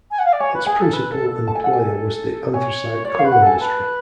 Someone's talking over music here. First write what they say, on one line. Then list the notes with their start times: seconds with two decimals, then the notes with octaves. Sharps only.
Its principal employer was the anthracite coal industry.
0.11 G#5
0.19 F#5
0.25 F5
0.33 D5
0.40 C#5 G#5
0.54 B4
0.67 G#4 G#5
0.80 A4
0.93 B4
1.11 A4
1.29 A4
1.47 A5
1.55 G#5
1.64 F#5
1.73 G#5
2.54 C#5 G#5
3.05 C#5 D5
3.19 F5
3.25 B4
3.32 F#5
3.42 A4 G#5
3.60 B4 A5